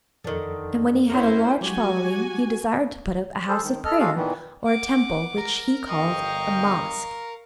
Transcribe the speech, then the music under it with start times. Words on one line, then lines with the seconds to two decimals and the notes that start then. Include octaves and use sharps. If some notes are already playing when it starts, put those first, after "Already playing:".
And when he had a large following he desired to put up a house of prayer, or a temple which he called a mosque.
0.24 F2 D3 D#3 A4
1.10 F#3 C#4 E4 A#4 C5
1.61 F#3 G#3 F#4 G4 G#5
3.48 G#4 A4 C5
3.63 D#3
3.84 A4 D#5 F6
4.00 G#3 F#4 G#4 A4 F5
4.16 A#2 D#3 E3 B3
4.64 F#5 D6
5.38 A#4
5.89 G1 D#5 F5 G5 C#6